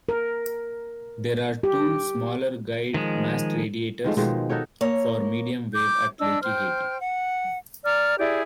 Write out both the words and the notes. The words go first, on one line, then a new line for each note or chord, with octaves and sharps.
There are two smaller guyed mast radiators for mediumwave at Lakihegy.
A#4
G4
D#3 F3 G#3
D#3 F3 G#3 A3
B2 D#3 F3 G#3
D#4 F#4 A4 C#5
A#3 C#5
D6 G6
D4 D#5 E6
C5 G5 F6
F#5
D5 A#5 F6
E4 G4 G#4 D5